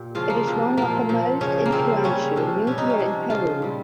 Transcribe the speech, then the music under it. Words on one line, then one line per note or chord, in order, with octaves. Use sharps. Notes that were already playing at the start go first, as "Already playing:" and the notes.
It is one of the most influential media in Peru.
Already playing: A#2 G4
C#3 F3 F4
A#3
C3 F3
A#2 F3 A#3
A#2 F3
C#3 F3 C#4
A#3
C#3 F3 C4
C#3 G3 C#4
C3 F3
C3 G3 C#4
D#4
C#4
C3 F3
C#3 F3 F4
A#2 G3